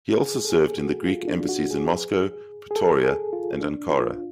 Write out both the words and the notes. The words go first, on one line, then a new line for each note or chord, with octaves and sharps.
He also served in the Greek embassies in Moscow, Pretoria and Ankara.
G#4
A4
G#4
F#4
F4
D4
F#4
G#4
G#4
A4
G#4
F4
D4
F4